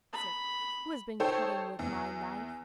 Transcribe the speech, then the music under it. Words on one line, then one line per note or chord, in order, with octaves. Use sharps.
The sixth, "Who has been cutting with my knife?"
B5
D#4 A4 C5 C#5 G5
E2